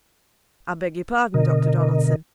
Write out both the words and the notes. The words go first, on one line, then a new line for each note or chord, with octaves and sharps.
'I beg your pardon, Dr. Donaldson.
B2 D3 A#4 D#5